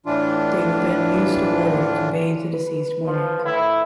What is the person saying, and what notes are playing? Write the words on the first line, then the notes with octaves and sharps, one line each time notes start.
They will then use the water to bathe the deceased monarch.
A2 E3 D4 F4
B4
F3
A2 E4